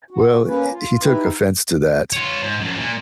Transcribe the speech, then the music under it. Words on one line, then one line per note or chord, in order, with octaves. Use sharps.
Well, h he took offense to that
F#4
A#3 C#4 B4
F4
D#4 E4 G4 B4
F4 C#5
G#2
F#2 F3
A#2 A#3